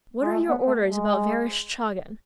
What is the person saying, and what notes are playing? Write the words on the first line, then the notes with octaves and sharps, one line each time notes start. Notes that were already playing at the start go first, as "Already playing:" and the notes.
What are your orders about Vereshchagin?
G#3
A3
B3
A3
G#3